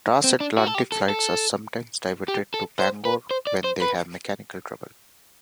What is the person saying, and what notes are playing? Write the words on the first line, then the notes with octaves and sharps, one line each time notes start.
Transatlantic flights are sometimes diverted to Bangor when they have mechanical trouble.
C4
D4
F#4
A4
G4
A4
A4
G4
A4
C5
B4
C5
D5
C5
B4